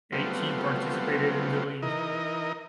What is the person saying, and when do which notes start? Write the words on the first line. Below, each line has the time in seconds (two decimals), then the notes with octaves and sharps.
Eight teams participated in the league.
0.12 F#3 G3 A3 B3 C4 F4
1.82 E3 D#4 A#4 D#5